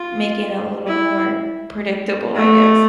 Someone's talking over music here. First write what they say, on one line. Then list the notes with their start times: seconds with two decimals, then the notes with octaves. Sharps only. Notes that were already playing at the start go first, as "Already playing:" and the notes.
making it a little more predictable, I guess.
Already playing: F4
0.87 E4
2.35 A3